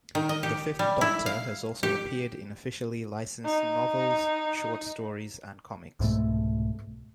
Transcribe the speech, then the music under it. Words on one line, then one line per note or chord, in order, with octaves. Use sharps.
The Fifth Doctor has also appeared in officially licensed novels, short stories and comics.
D#3
D#5
G4
G3
E4
F5
G4
D#4
C2 G#2 B2 A3